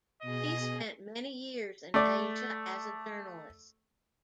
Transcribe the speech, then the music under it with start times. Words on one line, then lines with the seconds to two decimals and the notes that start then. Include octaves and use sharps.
He spent many years in Asia as a journalist.
0.22 B2 G#4 D#5
1.94 A3 D5